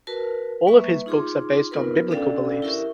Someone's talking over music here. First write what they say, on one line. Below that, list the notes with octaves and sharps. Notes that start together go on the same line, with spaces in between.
All of his books are based on biblical beliefs.
F#4 A#4 B4 A5
G3 A#3 B4 E5 C#6
D#4 F4 G#4 C6 D6
B3 D#4 F4 A#4 B4
C#4 D4 A4 D5 F5 G5
E4 G4 A#4 E5 C#6